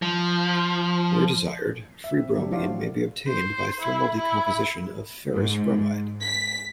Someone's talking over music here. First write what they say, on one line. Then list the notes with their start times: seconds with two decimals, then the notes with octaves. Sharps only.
Where desired, free bromine may be obtained by thermal decomposition of ferrous bromide.
0.02 F3
2.04 E5
2.17 C4
2.37 F#3 A3 D4 G4
2.51 F3 E4 F#4 C5 D5 F5
3.27 C5
3.80 E4
4.16 E4
5.34 G#2
6.22 B6